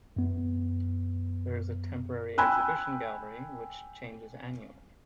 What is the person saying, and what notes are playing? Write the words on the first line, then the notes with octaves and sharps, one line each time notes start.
There is a temporary exhibition gallery which changes annually.
F#2 B3
G5 G#5 B5 E6 F#6